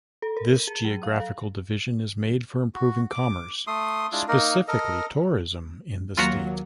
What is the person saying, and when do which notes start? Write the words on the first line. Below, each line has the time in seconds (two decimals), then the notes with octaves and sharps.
This geographical division is made for improving commerce, specifically tourism, in the state.
0.22 A4
0.37 A#4
0.50 D#7
0.67 G#4
0.85 F#3
1.03 F5
1.20 A4
2.74 F#4
3.11 D6
3.67 A3 C6 D#6
4.12 G#3 D4 E4 F4
4.28 A#3 D#4 A#4
4.68 A4 A#4 D#5
6.17 D#2 F#3 A#3 F4 F#4 A#5